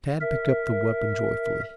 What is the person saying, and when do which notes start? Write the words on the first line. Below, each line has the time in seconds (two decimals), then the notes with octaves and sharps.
Tad picked up the weapon joyfully.
0.21 A#4 E5